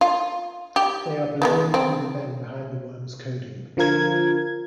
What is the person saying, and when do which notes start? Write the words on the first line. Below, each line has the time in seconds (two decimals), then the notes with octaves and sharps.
They are believed to be the men behind the worm's coding.
0.01 F4
0.76 G4
1.42 F3 G#3 B3
1.74 C4
3.77 D3 F3 F4 A#4 G#6